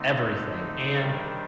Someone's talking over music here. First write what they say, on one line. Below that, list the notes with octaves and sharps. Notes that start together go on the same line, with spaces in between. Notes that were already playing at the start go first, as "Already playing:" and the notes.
everything, and
Already playing: D3 A3 C4 D#4
C3 D#3 G3 D4 G4